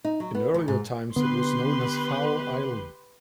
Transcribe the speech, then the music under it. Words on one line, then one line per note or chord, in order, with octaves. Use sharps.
In earlier times it was known as "Fowle Island".
D#4
F#3
B3
D2
G#2
D3 B3 G4 B4 C6